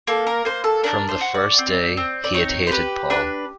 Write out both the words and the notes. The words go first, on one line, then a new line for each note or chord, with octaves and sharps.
From the first day he had hated Paul.
A#3 A4
A#4
A#3 C5
A4
D4 A#4
C5
F#4
D5
C4
C4
D5
D#4 C#5
C5
G4 B4
D4 B4